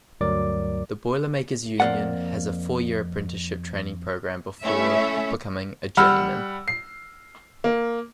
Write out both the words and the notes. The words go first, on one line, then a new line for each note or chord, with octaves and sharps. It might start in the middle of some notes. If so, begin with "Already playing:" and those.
The Boilermakers union has a four-year apprenticeship training program before becoming a Journeyman.
D2 G2 F#3 A#4 D5 D6
F2 A#3 B4 D5 F#5
A3 C#4 E4 C#5 E5
G3 F#5 B5 E6 F6
C7
A#3